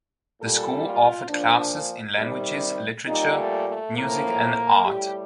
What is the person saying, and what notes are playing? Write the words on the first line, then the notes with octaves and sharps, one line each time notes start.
The school offered classes in languages, literature, music and art.
A#2 G3 A4
F4
A#2 F3 D4
C3 D#3 G3
A#2 G3 D#4
A3
A3
A2 F3 A#3
A2 G3 G4